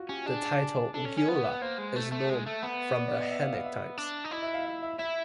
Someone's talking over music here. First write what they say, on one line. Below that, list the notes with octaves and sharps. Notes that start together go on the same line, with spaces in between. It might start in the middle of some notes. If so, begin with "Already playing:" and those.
The title "Gyula" is known from the Hunnic times.
Already playing: F4 F#4
C#4 G4
D4 G#4
D4 A4
C#4
C#4
B3 B4
A#3 C5
G#3
A3
A3
G#3
A3
B3
D5
D5
D#5
E5
F5
F5
E5
D4
D#4
E4 D#5
E5
F5
E5
E5
E4 E5